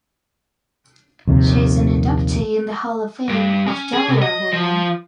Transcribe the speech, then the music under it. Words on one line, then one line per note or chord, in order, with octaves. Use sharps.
She is an inductee in the Hall of Fame of Delaware Women.
A#1 D#2 C3
G2
C#4
G#4
C3
D#5
F3